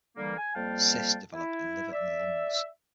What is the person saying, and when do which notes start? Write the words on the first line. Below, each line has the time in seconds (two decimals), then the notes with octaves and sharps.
Cysts develop in liver and lungs.
0.17 D3 E3 G3 A#3
0.37 G#5
0.55 F2 G3 A#3 F5 G5 A5
1.34 E4
1.92 D5 E5